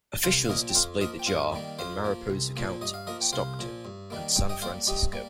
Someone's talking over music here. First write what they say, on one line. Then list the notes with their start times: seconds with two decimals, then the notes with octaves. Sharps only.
Officials displayed the jar in Mariposa County, Stockton, and San Francisco.
0.24 C2 C5 F5
0.45 F5
0.49 A#2 F3 A#3 A#4 D#5
0.69 G5
0.75 F2 C5 F5
1.01 F3 A#3 A#4 D#5
1.19 G5
1.26 G2 C5 F5
1.52 D#3 G3 A#3
1.79 F2 C5 F5
2.04 F3 A#3
2.30 C2
2.56 A#2 F3 A#3
2.81 G2 D#5
2.94 F5
3.07 F3 A#3 A#4 D#5
3.21 G5
3.33 C2 C5 F5
3.59 A#2 F3
3.85 G2
4.10 D#3 G3 A#3
4.36 G2 G5
4.49 D#5 G5
4.62 G3 A#3 C5 F5
4.87 G2 D#4 G4
5.13 G3 A#3